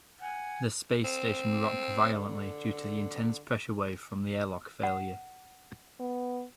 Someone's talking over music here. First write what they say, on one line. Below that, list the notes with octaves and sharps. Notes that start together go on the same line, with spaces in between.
The space station rocked violently due to the intense pressure wave from the airlock failure.
F#5 G#5
C4
D3
F#5
B3